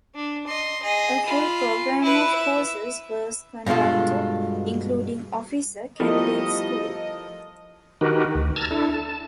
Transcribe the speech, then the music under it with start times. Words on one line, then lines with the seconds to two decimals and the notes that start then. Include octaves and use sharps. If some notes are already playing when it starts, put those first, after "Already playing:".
A full program of courses was conducted, including Officer Candidate School.
0.15 D4
0.47 D#5 C6
0.83 G#4 D#5
1.26 F4 B5
2.01 E4 B4
2.35 E5
3.66 G2 B2 G#3 F4 A4
6.00 A2 F3 G3 B3 E4 A4 A#4 D#5
8.01 D#3 D#4 F#4 G4 A#4 B4
8.35 D2
8.56 A5 A#5 E6 F6 G#6 A6
8.71 D4 E4 A4
8.93 A5